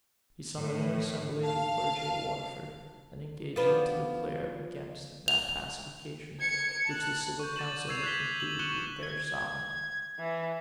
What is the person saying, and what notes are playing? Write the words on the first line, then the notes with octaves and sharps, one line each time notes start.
He summoned an assembly of the clergy at Waterford, and engaged them to declare against that pacification which the civil council had concluded with their sovereign.
A2
F5 A5
F3 B3 D4
F7
G#6 C#7
A5 F#6
C#6 G6
D6 A6 D#7 E7 F#7
C#6 E6 G#6 C7 D#7 F7
F#6 G6 B6 G7
F#7
C#6 F#6 C#7 E7 G7
G#6
E3